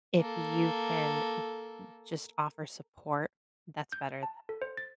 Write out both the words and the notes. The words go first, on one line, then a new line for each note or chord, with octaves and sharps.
if you can n n just offer support, that's better than
A#3 A4
G6
A5
A4
C5
A6